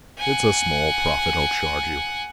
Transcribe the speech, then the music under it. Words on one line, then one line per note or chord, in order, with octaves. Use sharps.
It's a small profit I'll charge you.
F#5 G#5